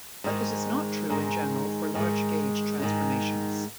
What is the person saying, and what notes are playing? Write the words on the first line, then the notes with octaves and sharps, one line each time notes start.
But this is not true in general for large gauge transformations.
G#2 D#3 G#3
G#2 D#3 G#3
G#2 D#3 G#3
G#2 D#3 G#3